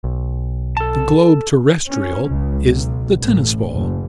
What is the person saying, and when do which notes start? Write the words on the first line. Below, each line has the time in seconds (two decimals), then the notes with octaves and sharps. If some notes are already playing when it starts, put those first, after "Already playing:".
The globe terrestrial is the tennis-ball.
0.04 B1
0.77 A4 A5
1.87 C#4
2.27 C#2
2.67 B1
3.20 A1
3.70 F#1